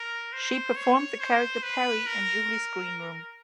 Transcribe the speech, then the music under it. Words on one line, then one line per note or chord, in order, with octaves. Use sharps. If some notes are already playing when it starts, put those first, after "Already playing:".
She performed the character Peri in "Julie's Greenroom".
Already playing: A#4
C5
C#5
C5
B4
A#4